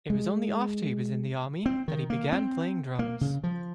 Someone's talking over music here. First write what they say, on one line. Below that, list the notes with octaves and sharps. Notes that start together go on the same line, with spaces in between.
It was only after he was in the army that he began playing drums.
G#3
C4
D#3
A#3
C4
A#3
C#3
F3